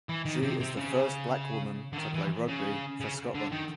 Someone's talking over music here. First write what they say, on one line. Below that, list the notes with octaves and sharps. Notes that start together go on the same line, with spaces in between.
She is the first black woman to play rugby for Scotland.
E3
D#3
C3
C3
C#3
D3
D#3
E3
C#3
C#3
D3
D#3